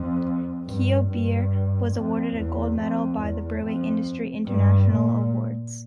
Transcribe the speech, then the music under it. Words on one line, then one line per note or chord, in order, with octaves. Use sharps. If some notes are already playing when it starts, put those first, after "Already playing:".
Keo beer was awarded a Gold Medal by the Brewing Industry International Awards.
Already playing: F2
G2
G2
F2
E2
F2
E2
F2
G2
A#2